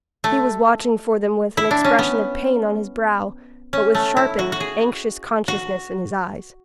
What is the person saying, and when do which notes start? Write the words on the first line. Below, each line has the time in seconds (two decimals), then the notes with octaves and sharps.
He was watching for them with an expression of pain on his brow, but with sharpened, anxious consciousness in his eyes.
0.24 A3
1.57 E4
1.71 D4
1.84 C#4
1.99 B3
3.73 C#4
3.95 A3
4.17 E4
4.39 F#4
4.52 F#4
4.60 G#4
5.48 F#4